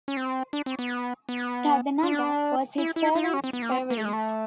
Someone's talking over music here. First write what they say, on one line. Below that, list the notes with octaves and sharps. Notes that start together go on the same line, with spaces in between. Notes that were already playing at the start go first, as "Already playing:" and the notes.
Tadanaga was his parents' favorite.
C#4
C4
D4
C4
B3
B3
D4
E4
E4
D#4
E4
C#4
C4
B3
A#3
C4
A#3
A3
G#3
A3